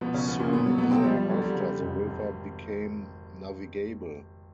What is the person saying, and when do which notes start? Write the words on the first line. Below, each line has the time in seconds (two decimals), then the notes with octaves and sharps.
Soon thereafter the river became navigable.
0.01 B2 F3 B3
0.14 C#3 C#4
0.27 F3 B3
0.39 A#2 A#3
0.52 B2 B3
0.66 F#3
0.78 B2 B3
0.91 C3 C4
1.04 F3 G3
1.16 G3
1.29 D3 F#3
1.42 G3
1.55 C#3
1.80 F1
2.06 G#1